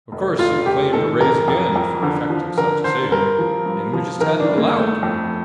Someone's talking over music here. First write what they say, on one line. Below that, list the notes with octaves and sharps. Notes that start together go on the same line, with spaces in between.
Of course he claimed a raise again for effecting such a saving, and we just had to allow it.
F1
F1 F4
F1 G4
D#3 A4
F2 A#4
F2
F2
D3
F3
D3 A#4
D3 C5
G2 A#4
F3
G2
F3
D#3 A#4
D4
G1
A#3
G1 A3
F2